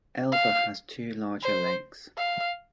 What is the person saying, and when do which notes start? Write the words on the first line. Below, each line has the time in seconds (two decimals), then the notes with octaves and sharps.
Elva has two larger lakes.
0.32 F5
1.43 C5
2.17 F5